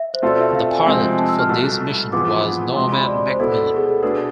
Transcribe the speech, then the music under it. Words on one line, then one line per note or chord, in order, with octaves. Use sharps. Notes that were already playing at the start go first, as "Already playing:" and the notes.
The pilot for this mission was Norman Macmillan.
Already playing: E5
C5
B2 A3 C4 F4 A4 D5
E5
F5
G#5
F2 C3 G#3 C4
A5
E6
F6
C2 B2 A3 E6
F2 E3 B3 F4 G#4 D6
D2 C3 G#3 C6
B5
D5
D5
C5
B2 B3 E4 A4
G#4
A4
B2 A3 D4 G#4 B4